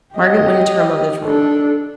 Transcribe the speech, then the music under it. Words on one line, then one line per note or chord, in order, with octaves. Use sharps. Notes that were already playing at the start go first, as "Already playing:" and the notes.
Margaret went into her mother's room.
G4 D#5
D4 A4